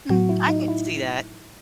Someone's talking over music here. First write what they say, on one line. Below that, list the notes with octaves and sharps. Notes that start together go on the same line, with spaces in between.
Mm, I could see that.
A2 F#3 F#4
E4
D#4
E4